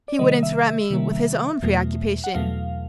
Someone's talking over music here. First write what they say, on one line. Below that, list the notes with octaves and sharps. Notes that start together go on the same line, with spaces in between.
He would interrupt me with his own preoccupation.
D5
C3 D#3 G3 A#3 D#5
E5
E5
C3 D#3 G3 A#3
E2 B2 F#3 A3
F#5
E2 B2 F#3 A3 F5